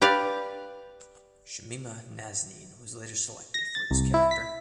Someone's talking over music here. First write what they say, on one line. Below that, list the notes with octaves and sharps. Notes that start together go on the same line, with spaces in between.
Shamima Nazneen was later selected for this character.
G4 B4 D5 F5
A#6
A6
C2
E4
B6